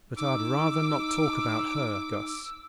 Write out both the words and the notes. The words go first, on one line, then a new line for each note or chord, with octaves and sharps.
But I'd rather not talk about her, Guss.
D#4 D6 E6